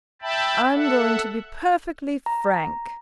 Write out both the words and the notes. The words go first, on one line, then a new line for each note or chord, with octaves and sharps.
'I'm going to be perfectly frank.
E5 G5 A5 B5
A4 E5 F#5
A#5